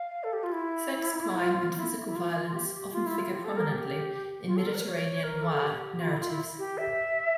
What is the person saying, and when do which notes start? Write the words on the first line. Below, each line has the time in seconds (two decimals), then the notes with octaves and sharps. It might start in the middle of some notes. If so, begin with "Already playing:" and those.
Sex, crime, and physical violence often figure prominently in Mediterranean Noir narratives.
Already playing: F5
0.23 A4
0.33 G4
0.43 F4
0.52 E4
1.39 F4
1.77 E4
2.06 E4
2.15 F4
2.54 G4
2.92 F4
3.06 E4
3.18 F4
3.31 G4
3.44 A4
3.56 A#4
3.70 G4
4.46 F4
4.56 A4
4.66 A#4
4.75 D5
4.80 A#4
4.85 C#5
5.23 A#4
5.42 A4
5.62 G4
6.00 F4
6.09 E4
6.19 F4
6.29 E4
6.58 G4
6.77 E5